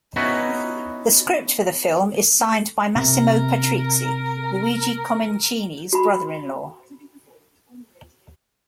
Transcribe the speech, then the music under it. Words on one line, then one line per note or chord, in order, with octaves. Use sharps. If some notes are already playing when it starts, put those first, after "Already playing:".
The script for the film is signed by Massimo Patrizi, Luigi Comencini's brother-in-law.
B3 C#4 D#4 E4 F#4 B4
C3 A#4
F#4 B5